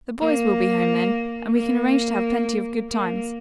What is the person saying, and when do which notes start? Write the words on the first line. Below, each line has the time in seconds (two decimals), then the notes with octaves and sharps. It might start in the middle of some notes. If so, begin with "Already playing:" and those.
The boys will be home, then, and we can arrange to have plenty of good times.
0.21 A#3
1.55 A#3
2.90 A#3